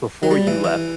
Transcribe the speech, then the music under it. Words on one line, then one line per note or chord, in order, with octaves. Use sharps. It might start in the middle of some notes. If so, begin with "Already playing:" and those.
Before you left,
F#3
G3
E3
E3